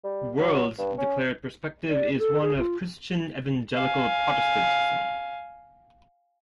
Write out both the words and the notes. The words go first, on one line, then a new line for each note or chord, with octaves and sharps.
"World"'s declared perspective is one of Christian evangelical Protestantism.
G3
F#3
G2
C#4
D5
A4
G#4
F4
F5 G#5